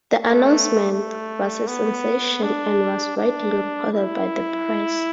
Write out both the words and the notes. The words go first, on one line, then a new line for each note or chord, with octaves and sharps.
The announcement was a sensation and was widely reported by the press.
A3
A3
B3
D4
D4
E4